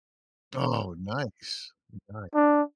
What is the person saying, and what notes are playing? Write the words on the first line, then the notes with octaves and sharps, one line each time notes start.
Oh, nice. Nice.
D4